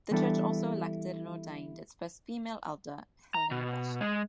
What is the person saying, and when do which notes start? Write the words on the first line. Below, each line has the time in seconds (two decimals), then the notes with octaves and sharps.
The church also elected and ordained its first female elder, Helen Bosler.
0.11 E3 G3 B3 D4 E4 A4
3.34 A#5
3.51 B2
4.01 G#3